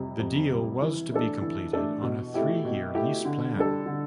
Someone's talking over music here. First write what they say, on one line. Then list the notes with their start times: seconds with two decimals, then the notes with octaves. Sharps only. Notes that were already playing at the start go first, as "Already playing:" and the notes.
The deal was to be completed on a three-year lease plan.
Already playing: F2 C3 G3
0.20 F2
0.51 C3 G3
0.82 E3
1.12 A3 D4 A4
1.42 E3
1.73 A3 D4 A4
2.03 B2
2.34 A3 E4 G4
2.65 B2
2.94 A3 E4 G4
3.25 D3
3.56 G3 D4 A4
3.86 D3